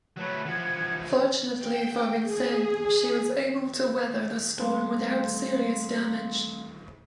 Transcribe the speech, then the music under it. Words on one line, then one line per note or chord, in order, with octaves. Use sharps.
Fortunately for "Vincennes", she was able to weather the storm without serious damage.
F#3 A3 B4 C#5
E3 F3 F#5 G#6
G5
G#4
G3 A3 C4 A4 F5 C6